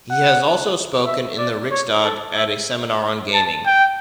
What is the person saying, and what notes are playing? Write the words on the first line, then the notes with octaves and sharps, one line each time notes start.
He has also spoken in the Riksdag at a seminar on gaming.
F#5
E5
D5
C#5
A4
E5
A5
G5